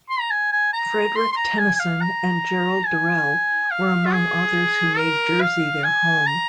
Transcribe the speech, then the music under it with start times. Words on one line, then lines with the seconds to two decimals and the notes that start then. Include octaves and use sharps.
Frederick Tennyson and Gerald Durrell were among authors who made Jersey their home.
0.09 C6
0.20 A#5
0.31 G#5
0.52 G#5
0.73 A#5
1.16 C6
1.32 C6
1.36 A#5
1.59 G#5
1.75 G#5
1.80 F5
2.01 A#5
2.86 G#5
3.71 F5
4.05 F4
4.14 G#4
4.98 A#4
5.41 F5
5.84 G#5
6.27 A#5